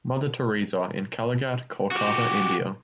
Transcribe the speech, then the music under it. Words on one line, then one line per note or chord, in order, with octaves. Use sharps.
Mother Teresa in Kalighat, Kolkata, India.
F#4 G4